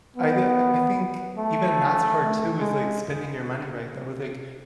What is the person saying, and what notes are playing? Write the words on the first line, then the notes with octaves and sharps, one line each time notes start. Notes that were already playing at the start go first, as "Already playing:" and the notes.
I ju I think even that's hard too is, like, spending your money right though, like,
B3
A3
G#3